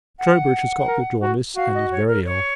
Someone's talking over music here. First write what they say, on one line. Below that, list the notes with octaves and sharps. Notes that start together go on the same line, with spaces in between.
Troubridge has got the jaundice, and is very ill.
F#5
A#4
F#4
F#4 F5
D#5
C#5
A#4
C#5